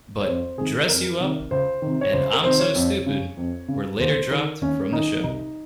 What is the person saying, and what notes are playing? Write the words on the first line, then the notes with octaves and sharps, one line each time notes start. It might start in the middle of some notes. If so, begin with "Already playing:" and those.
But "Dress You Up" and "I'm So Stupid" were later dropped from the show.
C#5
F2 C5
C3 D#3 G#4
F2 A#4
C3 D#3
C#2 C5
C3 D#3
C#5
C#2 C5
A#4
C3 D#3 C5
C#5
F2
C#3
F2
C#3
D#2 C5
D#3 A#4
D#2 C#4
D#3 D#4
C2 D#4